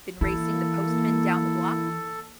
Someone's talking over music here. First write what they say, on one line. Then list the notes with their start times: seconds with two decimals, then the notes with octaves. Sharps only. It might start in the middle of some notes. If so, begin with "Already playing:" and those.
Been racing the postman down the block?
0.21 E3 A#3 E4 A4